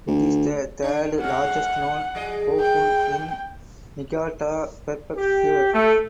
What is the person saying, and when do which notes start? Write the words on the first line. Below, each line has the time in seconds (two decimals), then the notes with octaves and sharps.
It is the third largest known "kofun" in Niigata Prefecture.
0.07 D2
0.82 D4
1.20 G#3 C#4 F#5
2.15 F3 G#4 D#5
2.60 G5
5.17 G4
5.74 A3